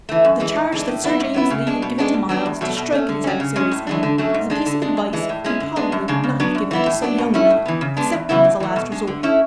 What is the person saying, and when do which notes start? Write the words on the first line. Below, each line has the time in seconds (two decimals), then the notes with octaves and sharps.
The charge that Sir James Lee had given to Myles to strike at his adversary's helm was a piece of advice he probably would not have given to so young a knight, excepting as a last resort.
0.09 E3 A3
0.25 F#2
0.40 E3 G#3
0.56 A2
0.72 E3 G#3 D4
0.88 A2
1.03 F#3 B3 E4
1.20 G#2
1.34 F#3 B3 E4
1.50 C#3
1.67 G#3 D4
1.82 B2
1.98 G#3 B3 D4
2.14 B2
2.29 F#3 B3 D4
2.46 E2
2.61 B2 F#3 A3
2.77 B2
2.92 A3 C#4
3.09 D3
3.24 F#3 C#4
3.40 C#3
3.56 G#3 C#4
3.71 A2
3.87 E3 G#3 D4
4.03 D3
4.18 F#3 A3 C#4
4.34 G#2
4.50 G#3 D4
4.66 D3
4.82 G#3 D4
4.97 F#2
5.13 E3 G#3
5.29 A2
5.44 G#3 C#4 E4
5.60 D3
5.76 G#3 B3 D4
5.92 F#2
6.08 C#3 G#3 D4
6.24 C#3
6.40 F#3 B3 D4
6.55 F#2
6.71 E3 B3 E4
6.86 A2
7.02 F#3 B3 D4
7.18 B2
7.34 A3 C#4 E4
7.50 A2
7.65 E3 B3
7.81 C#3
7.97 G#3 B3 D4
8.13 E2
8.29 C#3 E3 B3 E4
8.44 A2
8.60 E3 A3
8.76 B2
8.92 G#3 D4
9.07 D3
9.23 A3 C#4 E4